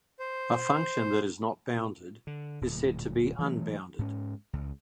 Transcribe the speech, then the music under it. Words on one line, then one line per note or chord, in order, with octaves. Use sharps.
A function that is "not" bounded is said to be unbounded.
C5
D3
D1 A#2
E3 F#3 A3
G#2 C#4
C#2